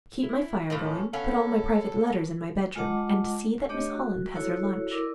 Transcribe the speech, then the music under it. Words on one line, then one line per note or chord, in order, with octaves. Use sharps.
"Keep my fire going, put all my private letters in my bedroom, and see that Miss Holland has her lunch."
E4
A2 E3 F3
C#4
B3 C#4 A4 F5
G#3 F4 D#5 F#5 A5 D6
A3 D4 G4 C#5 D#5
F#4
E4 F#4 A4 C#5
E4 A#4 D5 D6